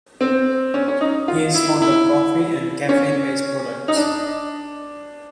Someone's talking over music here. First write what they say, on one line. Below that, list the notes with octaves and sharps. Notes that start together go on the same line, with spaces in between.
He is fond of coffee and caffeine-based products.
C4
C#4
C#4
D#4
F4
E4
E4
C#4
D#4
D4